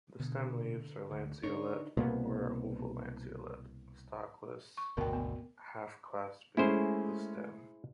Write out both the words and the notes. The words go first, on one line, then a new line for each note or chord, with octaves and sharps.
The stem leaves are lanceolate or oval-lanceolate, stalkless, half-clasping the stem.
B2 D3
D2
D3 D4 D#4 A#4 C#5
C2 B2 A#3 B3
C#6
G#1 D2 B2 A#4 G5
B3
G#3 A3 C#4 E4 G#4 C5